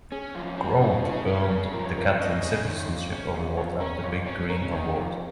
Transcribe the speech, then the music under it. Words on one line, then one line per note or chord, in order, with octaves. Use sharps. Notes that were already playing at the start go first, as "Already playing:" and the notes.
Grobe earned the Catlin Citizenship Award and the Big Green Award.
C#4 G#4
F2 F4
F3 C#4
C#3 C#4
C#4 F4
D#4
C#4
C#3
F3 A#4
C#5
F2 A#4
C#3 D#5
C#4
D#3
F2
C#4
F2
F2 C#5
C#4 A#4
F2 C#5
C#4 C#5
C#4 A#4
D#3 C#5
F2 A#4